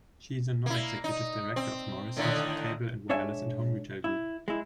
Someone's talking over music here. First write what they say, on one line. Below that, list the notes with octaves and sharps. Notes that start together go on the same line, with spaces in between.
She is a non-executive director of Morrisons, Cable and Wireless and Home Retail Group.
A#3 E4
D#4
C4
A2 D3 D#3
G#2 D4 C#5 E5 G#5
E4
G#3 E4